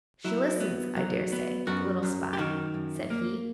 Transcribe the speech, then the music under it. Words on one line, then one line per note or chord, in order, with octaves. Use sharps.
'She listens, I dare say, the little spy,' said he.
F#3 E4
B3
F#3
B3
F#2 F#4
F#2
G4
D#3 F#4
F#2
A#3